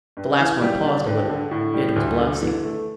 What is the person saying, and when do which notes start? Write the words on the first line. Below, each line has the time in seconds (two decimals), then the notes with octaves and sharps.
The last one paused a little; it was Blasi.
0.17 G2
0.40 E3
0.61 G3
0.84 D4
1.06 G2
1.29 D3
1.51 A2
1.74 G3
1.96 D2
2.19 D3
2.41 E3
2.64 A3